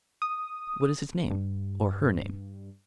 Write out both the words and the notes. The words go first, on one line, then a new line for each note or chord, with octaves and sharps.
"What is his name--or her name?"
D#6
G2